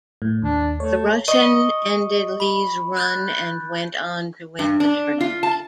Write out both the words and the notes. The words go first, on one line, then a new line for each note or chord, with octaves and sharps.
The Russian ended Li's run and went on to win the tournament.
A2
D#2 D4
A3 C#5
D#5 C#6 C#7
B5
F#6 G6 A6
G2
D4
F4
A5